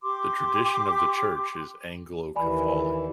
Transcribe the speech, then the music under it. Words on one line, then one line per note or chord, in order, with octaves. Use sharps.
The tradition of the church is Anglo-Catholic.
G4 C6 D6
D#2 E3 D5 G#5 B5